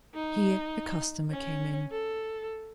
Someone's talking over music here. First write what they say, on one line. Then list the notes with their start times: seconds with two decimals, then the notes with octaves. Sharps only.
Here a customer came in.
0.14 D#4
1.31 C#4
1.91 A4